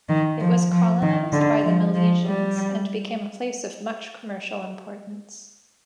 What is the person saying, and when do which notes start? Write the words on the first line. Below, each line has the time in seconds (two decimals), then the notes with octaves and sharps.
It was colonized by the Milesians and became a place of much commercial importance.
0.09 D#3
0.40 F3
0.71 F3
1.02 D#3
1.32 D3
1.64 F3
1.95 F3
2.25 G3